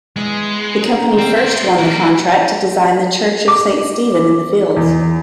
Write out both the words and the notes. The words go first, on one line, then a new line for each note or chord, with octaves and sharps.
The company first won the contract to design the church of Saint Stephen-in-the-Fields.
G#3 B3 E4 E5
D#4
G3 A#3 C4
B3 C5
E3 A3 A#4
D6
E2